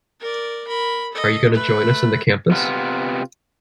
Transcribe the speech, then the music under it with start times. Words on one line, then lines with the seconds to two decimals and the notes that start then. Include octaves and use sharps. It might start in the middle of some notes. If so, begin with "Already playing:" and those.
Are you gonna join us in the campus?
0.20 A#4 D5
0.68 A#4 B5
1.13 A4 D#5
1.51 A3 B4
2.51 C3 B3 F4